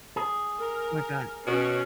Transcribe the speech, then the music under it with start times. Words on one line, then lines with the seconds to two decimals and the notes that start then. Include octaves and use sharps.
Oh my god.
0.16 G#4
0.59 A#4
1.47 B2 C#4